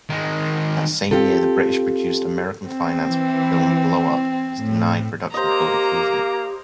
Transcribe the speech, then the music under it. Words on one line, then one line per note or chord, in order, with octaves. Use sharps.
That same year, the British-produced, American-financed film "Blowup" was denied Production Code approval.
D#3 G#3
C4 F4 G4 A4
C4
E3
A2
A#3 G4 C5 D#5 A#5